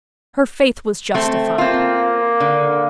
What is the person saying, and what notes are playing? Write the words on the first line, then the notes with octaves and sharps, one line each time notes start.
Her faith was justified.
A3 C4
A#3 C4 F4
D3